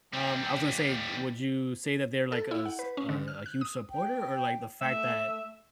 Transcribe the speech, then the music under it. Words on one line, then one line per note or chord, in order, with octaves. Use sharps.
Um, I was gonna say, would you say that they're like a s a a huge supporter, or, like, the fact m
D#2 G3
A4
E4
F#5
B4
C#4
D3
F6
F#6
D#6
G5
A3 E5